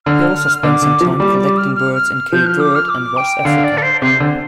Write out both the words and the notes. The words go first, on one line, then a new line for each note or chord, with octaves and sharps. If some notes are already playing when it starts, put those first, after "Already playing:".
He also spent some time collecting birds in Cape Verde and West Africa.
D3 F6
D3 D6
D3
F3
G3 D6
D6
F6
F6
F6
F6
F3 G6
F6
D6
F6
D6
G5
D3 F5
D5
A4
C5
C3 C5
D3